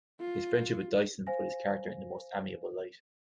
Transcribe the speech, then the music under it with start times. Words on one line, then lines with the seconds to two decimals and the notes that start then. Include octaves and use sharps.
His friendship with Dyson puts his character in the most amiable light.
0.21 F4
1.27 C5 F5 G#5 A#6